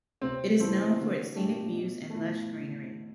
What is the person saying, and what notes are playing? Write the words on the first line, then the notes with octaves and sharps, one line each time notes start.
It is known for its scenic views and lush greenery.
C3 C4
E3 A3 C4 E4
D3
A3 D4 G4
B2
A3
E4